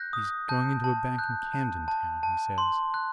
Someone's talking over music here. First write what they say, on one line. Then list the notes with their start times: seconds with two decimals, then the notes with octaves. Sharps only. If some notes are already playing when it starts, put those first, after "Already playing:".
He's going into a bank in Camden Town, he says.
Already playing: F#6 G6 A#6
0.13 D#6
0.49 A5 G6
0.84 A5
1.18 F#6 G6
1.54 A5
1.88 A5
2.23 A5
2.58 C6
2.94 F#6